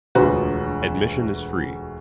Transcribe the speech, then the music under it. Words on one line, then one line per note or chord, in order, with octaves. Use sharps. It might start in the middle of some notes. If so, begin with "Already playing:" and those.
Admission is free.
E1 D2 F3 F#4 B4 C5